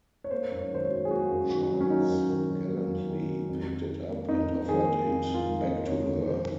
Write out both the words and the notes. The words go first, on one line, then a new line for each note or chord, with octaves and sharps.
Charles gallantly picked it up and offered it back to her.
C#5
A#3 C5
F#2
C#5
D#3 C5
C#5
F#3
G#4
A#3 F#4
F#2
D#3 F#4
F#3
C#4
A#3 D#4
F#2
D#3
F#3
A#3
F#2
D#3
F#3
F2
F2
D#3
A#3
F2 D#4
F2
D#3 G#4
A#3
F2
F2
F4
D#3
D#5
A#3
F2 C#5
F2
D#3 C5